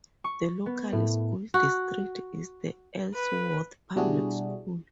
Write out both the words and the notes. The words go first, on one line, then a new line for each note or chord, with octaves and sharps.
The local school district is the Ellsworth Public School.
C#6
B3
A2
F#4
B4
B2 G3 D4 E4 F#4 G#4